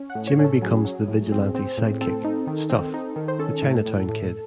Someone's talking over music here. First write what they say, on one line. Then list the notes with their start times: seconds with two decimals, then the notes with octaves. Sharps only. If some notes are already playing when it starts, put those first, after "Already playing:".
Jimmy becomes the Vigilante's sidekick Stuff, the Chinatown Kid.
Already playing: C#4
0.10 F#5
0.15 A2
0.27 C#5
0.39 C#4
0.44 A4
0.62 F#3 G#4
0.85 F#3
1.08 A2
1.32 C4
1.55 C4
1.78 A2
2.01 C4 A4
2.25 D#4
2.47 D#3
2.70 C4
2.94 D#4
3.16 D#3
3.28 C5
3.39 C#4 A4
3.62 A2
3.86 A2
4.09 A2